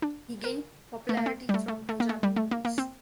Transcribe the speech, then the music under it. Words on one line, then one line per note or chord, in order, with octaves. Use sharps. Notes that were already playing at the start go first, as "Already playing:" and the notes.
He gained popularity from Punjabi movies.
D4
A#4
A3
A#3
C4
G3
A3
A3
A3
A#3
A3
G3
A3
A#3
A#3
C4